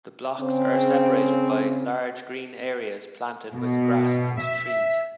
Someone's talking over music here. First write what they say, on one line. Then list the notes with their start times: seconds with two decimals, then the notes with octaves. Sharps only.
The blocks are separated by large green areas planted with grass and trees.
0.39 C#3 C4
3.52 B2
4.40 E5